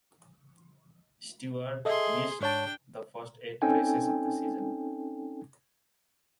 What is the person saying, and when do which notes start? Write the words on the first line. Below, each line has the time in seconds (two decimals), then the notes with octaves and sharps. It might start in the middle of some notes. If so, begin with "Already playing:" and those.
Stewart missed the first eight races of the season.
1.85 G#4 A4 D#5 E5 C6
2.41 G#2 D4 C#5 G5 A5
3.62 C4 C#4 D#4 A4 G5 G#5